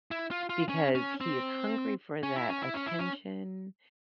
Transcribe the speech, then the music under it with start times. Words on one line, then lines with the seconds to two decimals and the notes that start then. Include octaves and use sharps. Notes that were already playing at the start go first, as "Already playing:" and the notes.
because he is hungry for that attention
0.11 E4
0.31 F4
0.49 F4
0.69 C#4
0.95 C#4
1.21 C4
2.23 C#4
2.36 E4
2.49 C#4
2.62 E4
2.74 C#4
2.86 E4
2.99 C#4